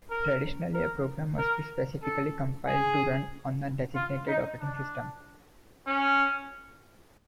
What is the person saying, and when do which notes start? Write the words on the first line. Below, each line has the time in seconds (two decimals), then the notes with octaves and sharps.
Traditionally, a program must be specifically compiled to run on a designated operating system.
0.10 A#4
0.74 A#4
1.38 A#4
2.02 A4
2.67 G#4
3.95 F4
4.27 D#4
4.60 D4
5.87 C#4